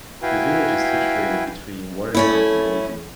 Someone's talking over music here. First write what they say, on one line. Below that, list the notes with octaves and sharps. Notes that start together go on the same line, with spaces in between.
The village is situated between Watertown and Lowville.
E4 F#4 B4 F5 G5 G#5
A3 C#4 E4